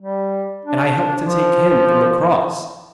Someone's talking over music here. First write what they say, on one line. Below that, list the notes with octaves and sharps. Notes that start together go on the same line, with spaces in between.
And I helped to take Him from the cross.
G3
D4
F3